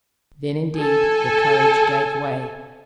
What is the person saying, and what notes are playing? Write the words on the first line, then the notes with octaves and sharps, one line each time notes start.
Then, indeed, her courage gave way.
A4 G#5